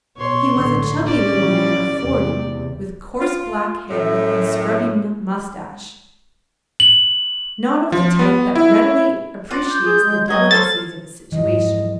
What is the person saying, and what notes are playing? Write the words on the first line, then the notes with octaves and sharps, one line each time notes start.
He was a chubby little man of forty, with coarse black hair and scrubby moustache, not of the type that readily appreciates the delicacies of a situation.
B2 C#5 C6
A#1 A2 D3
C#4 D5
A#2 E3 G3
E2 C3 D5
F4
F#2 A2
F#7
F3
B3
E4
F4 D5 F#6
G6
G#4
G#3
F#3 D#5 F#5 G#6
F#3 A4 C5 F5 A6
F2 G#2 E3 D#5